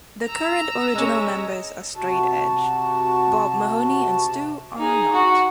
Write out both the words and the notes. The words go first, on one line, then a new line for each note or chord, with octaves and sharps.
The current original members are straight edge; Bob Mahoney and Stu are not.
A#5 E6
G#3 C#4
C3 F#4 A5
D#4 G#4
F#4